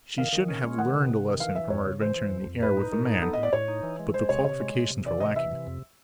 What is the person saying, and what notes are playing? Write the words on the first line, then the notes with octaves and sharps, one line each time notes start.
She should have learned a lesson from her adventure in the air with the man, but the qualifications were lacking.
D#3 F5
D#3
C#4
G#3
D#3 F#5
C3
C3
D#3
E3 F5
E3 E5
F2 C#5
C#3
E3 C5
E3
F2
F2
A2 B4
D#4
A2 A#4
D#4
B3 A4
D#5
A2
D5
A2 C#5
D#4
E3
G#3
G#3 C5
C3 C#5
C3 C#5
G#3
C3
C3
E3 D5
C3 D#5
E3 E5
C3
F2